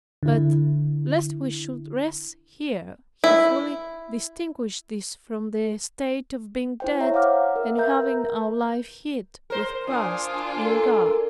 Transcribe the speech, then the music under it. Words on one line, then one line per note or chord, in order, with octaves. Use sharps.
But, lest we should rest here, he fully distinguishes this from the state of being dead and having our life hid with Christ in God.
D3 E4
E4
E4 C5 G5
C#5 E5 A#5
F5 F#5 D6 F6
A#4
A#4 B4 E5 A#5 G6
A#4 C5
A#2 D4 F4 G#5 D#6
A4 A#4